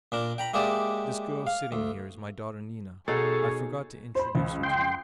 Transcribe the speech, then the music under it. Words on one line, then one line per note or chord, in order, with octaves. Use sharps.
This girl sitting here is my daughter Nina; I forgot to introduce her to you.
A#2 D4 A#4
G5 A#5 B5
G#3 A#3 D#4 G4 D5 E5
F5
D2
B2 D#4 G#4 A4 C#5 F5
C5 B5
C#2
G5 C6